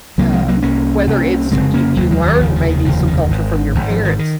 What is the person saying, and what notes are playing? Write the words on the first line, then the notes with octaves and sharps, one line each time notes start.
um whether it's you you learn maybe some culture from your parents,
C2 C3 F#3 A#3
F3 G#3
F#3 A#3
C2 C3 A#3 C#4
C2 C3
D#2 C#3 G#3 C4
F1
A#3 C#4
F1 D#2 C#3 F#3 A#3
F3 G#3
D#3 F#3
F1 D#2 C#3 F3
F3
D#3
F1 D#2 C#3 F3
D#3
G#1 G#2
G#1 G#2
F3
D#3
D#3